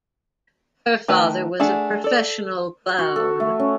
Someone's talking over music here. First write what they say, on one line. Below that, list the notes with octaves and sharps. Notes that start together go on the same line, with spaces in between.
Her father was a professional clown.
D#3 A3 B4
A3 D4 G#4 F#5
A4 D5
F#4
A4
A3
C#4